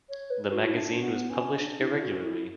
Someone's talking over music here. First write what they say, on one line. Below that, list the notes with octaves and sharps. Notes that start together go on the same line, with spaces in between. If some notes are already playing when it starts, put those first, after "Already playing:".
The magazine was published irregularly.
C#5
B4
F#4
E4
D4
B3
C#4
D4
E4
F#4
E4